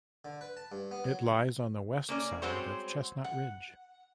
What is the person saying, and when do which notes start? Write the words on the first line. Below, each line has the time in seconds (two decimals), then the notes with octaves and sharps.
It lies on the west side of Chestnut Ridge.
0.25 D3
0.41 B4
0.57 A5
0.72 G2
0.91 B3
1.04 F#3
2.09 A#3 C#4 D5
2.42 G3 G#3 C4 F#4 C5 C#5
3.24 F#5